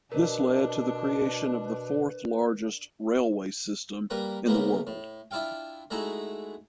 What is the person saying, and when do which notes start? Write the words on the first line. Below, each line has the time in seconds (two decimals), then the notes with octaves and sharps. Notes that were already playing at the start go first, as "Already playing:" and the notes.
This led to the creation of the fourth largest railway system in the world.
0.12 B2 D4 A#4 B4
4.10 G3 A#3 A#4 B4
4.46 A2 C#3 A#3 B3
4.87 A2
5.31 D4 E4 F4 F5 G5
5.91 G#3 A3 D#4 E4 F#4 G#4